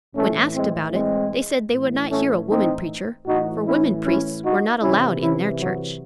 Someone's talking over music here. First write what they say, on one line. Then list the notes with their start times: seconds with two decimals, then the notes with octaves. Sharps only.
When asked about it, they said they would not hear a woman preacher, for women priests were not allowed in their church.
0.14 A2 E3 A3 C#4
0.54 G#3 C4
0.92 G#3 C4
1.70 A2 E3
2.10 A3 C#4
2.48 C4 D#4
3.26 A2 E3 D#4 F#4
3.65 C#4 E4
4.04 C#4 E4
4.43 D#4 F#4
4.81 C3 E3 C#4 E4
5.21 C#4 E4
5.60 F#3